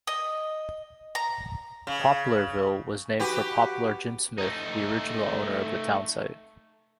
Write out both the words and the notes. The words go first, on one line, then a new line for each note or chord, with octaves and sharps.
Poplarville was named for Poplar Jim Smith, the original owner of the town site.
D#5
A#5
C#3
F#4 G4 B4
A3 D#4